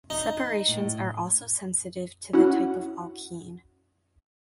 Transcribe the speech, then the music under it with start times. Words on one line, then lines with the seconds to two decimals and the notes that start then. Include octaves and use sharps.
Separations are also sensitive to the type of alkene.
0.10 D#4
0.68 A2
2.33 C#4 E4 F#4 F#5